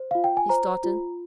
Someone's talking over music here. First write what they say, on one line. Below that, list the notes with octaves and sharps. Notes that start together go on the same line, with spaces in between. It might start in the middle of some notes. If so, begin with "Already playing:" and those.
He started.
Already playing: C5
F4 F5
G5
G#5
C5 A#5
F4